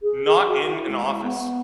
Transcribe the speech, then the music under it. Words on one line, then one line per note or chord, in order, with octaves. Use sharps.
not in an office.
G#4
G#4
F#4
E4
G#3
G#3
B3